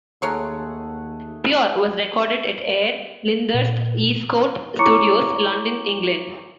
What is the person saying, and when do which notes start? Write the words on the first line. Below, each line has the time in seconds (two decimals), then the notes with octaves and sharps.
"Pure" was recorded at Air Lyndhurst, Eastcote Studios, London, England.
0.22 D#2 A3 G#4 A#4 C#5 F#5 C6
3.54 A#2
4.79 E4 C#5 A#5 C#6 D6 C#7